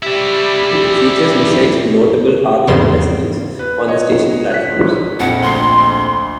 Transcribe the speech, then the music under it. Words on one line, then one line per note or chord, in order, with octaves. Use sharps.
It features mosaics of notable Harlem residents on the station platforms.
G3 E4 G4
E2 G#2 C#3 F3 G3 C6
B4
C#5 D#5
F#6 B6
A#1 F2 F#5
D2 C6 C7